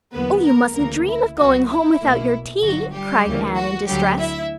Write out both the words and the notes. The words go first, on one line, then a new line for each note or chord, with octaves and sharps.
"Oh, you mustn't dream of going home without your tea," cried Anne in distress.
E2 D3 F#3 A#3 B3 B4
A#3 A#4
D2 C#3 E3 A#3 A#4
E4
C#2 B2 F#3 B3 F#4
E4
B1 B2 A#3
G1 G2 F#3 F#4
G3 G4
D2 C#3 E3 A#3
F#4
D2 D3 F#3 G3 G4
E4 E5